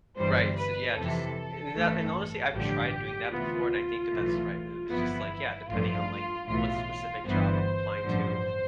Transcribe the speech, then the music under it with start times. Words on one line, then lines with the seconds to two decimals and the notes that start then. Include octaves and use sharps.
Right, so, yeah, just a and that and, honestly, I've tried doing that before, and I think that that's the right move, it's just, like, yeah, depending on, like, w w what specific job I'm applying to,
0.18 G1 G2 E3 G3 C5
0.57 B4
0.96 F2 C3 E3 A4
1.75 A1 G2 E3 A3
2.53 A1 G2 D3 F3 G4
3.32 D2 C3 E3 B3 F4
4.11 B1 A2 E3 A3
4.89 G1 F2 E3 B3 E4
5.68 A1 G2 F3 A3 F4
6.47 B1 A2 E3 F4
7.25 G1 G2 E3 B3 C5
8.04 A1 G2 D3 F3